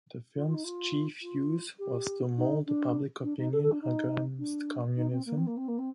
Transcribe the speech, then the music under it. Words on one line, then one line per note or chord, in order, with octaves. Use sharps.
The film's chief use was to mold public opinion against communism.
F4
F4
D#4
F4
F4
G4
D#4
D4
D4
D#4
A4
A4
D4
D#4
D4
D#4
C4
A#3
C4
A#3
C4
A#3
C4